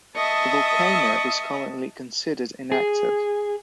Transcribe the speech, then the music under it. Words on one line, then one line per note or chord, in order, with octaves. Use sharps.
The volcano is currently considered inactive.
D#5 E5 A5 C#6 D#6
G#4